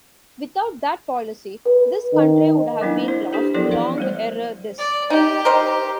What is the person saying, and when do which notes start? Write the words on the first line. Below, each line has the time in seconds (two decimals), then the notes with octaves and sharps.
Without that policy, this country would have been lost long ere this.
1.66 B4
2.13 D#3
2.81 F#3 A#3 C4 D4 E4
3.08 E4 C5
3.33 D4 G4 A4 B4
3.54 F3 F#3 B3 E4 A#4 D5
3.71 E3 D5 F5 F#5
3.98 G3 A3 C5
4.78 D5
5.10 D#4 G4
5.45 A#4 C5 D#5